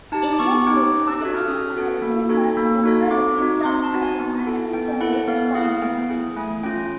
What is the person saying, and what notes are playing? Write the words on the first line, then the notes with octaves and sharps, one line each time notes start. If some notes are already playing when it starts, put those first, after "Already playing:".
In his book "Fundamental Biology", Marsh described himself as a "fundamentalist scientist".
D#4 G4 A5
D6
B3 C#6
D#4 G4 D6
C#4
E6
F#4 A4 F#6
F6
C#4 D#6
F#4 A4
A#3
D#4 F#4 A4
A#3
D#4 F#4 A4
C4 D6
D#4 F#4
C4 C6
A5
D#4 F#4
G#5
B3
E4 A4
B3 G5
E4 A4 F#5
B3 F5
E4 G#4 F5
B3 G5
E4 G#4 G5
A3 G#5
C#4 F4 G5